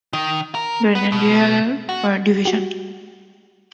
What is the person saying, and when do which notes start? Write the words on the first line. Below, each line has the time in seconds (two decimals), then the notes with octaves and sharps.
Grenadier Division.
0.13 D#3
0.55 A#4
0.95 B3
1.12 B2
1.89 F#4
2.45 F#4 G4